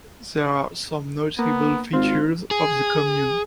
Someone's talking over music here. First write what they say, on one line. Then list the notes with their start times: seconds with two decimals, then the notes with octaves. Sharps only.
There are some notable features of the commune.
1.39 A#3 B3
1.93 G#1 C4 F4
2.51 G#4